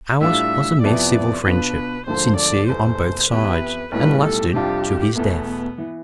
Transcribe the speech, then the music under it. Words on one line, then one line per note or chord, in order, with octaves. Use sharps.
Ours was a mere civil friendship, sincere on both sides, and lasted to his death.
A2 G3 D4 F4 E5
F2 C3 F3 B3 E4 D5
B2 B3 D4 F4 B4
E1 D2 D3 F3 C5
D5
F1 E2 B2 C5
F2 E3 B3 E4 G4 B4
B1 A2 G3 B4
A4
F2 C3 G3 D4 F4 G4
E2 B2 A3 B3
E3